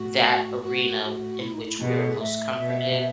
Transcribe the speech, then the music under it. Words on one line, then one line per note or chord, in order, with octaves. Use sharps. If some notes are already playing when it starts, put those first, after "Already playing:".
that arena in which we're most comforted,
Already playing: A2 F#4
A2 F#4
F#4
E4
D#4
E4
B2 F#4
G#4
A4
G#4
A2 E5
B2